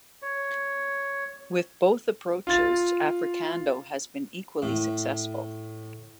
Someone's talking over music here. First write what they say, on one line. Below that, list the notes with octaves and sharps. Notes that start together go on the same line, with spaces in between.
With both approaches, Africando has been equally successful.
C#5
F4 A6
A2